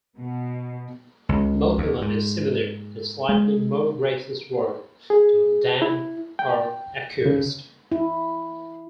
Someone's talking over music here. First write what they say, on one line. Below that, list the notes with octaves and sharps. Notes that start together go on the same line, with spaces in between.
Mokoma is similar but slightly more gracious word to "damned" or "accursed".
B2
C#2
D#2
G#2
G#3
G#4
E4
G5
C#3
E4